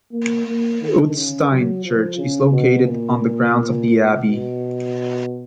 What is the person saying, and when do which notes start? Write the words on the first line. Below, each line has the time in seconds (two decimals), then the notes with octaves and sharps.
Utstein Church is located on the grounds of the abbey.
0.12 A#3
0.46 A#3
0.81 D#3
1.15 C#3
1.50 F#3
1.84 F3
2.18 C#3
2.52 B2
2.86 A#2
4.23 B2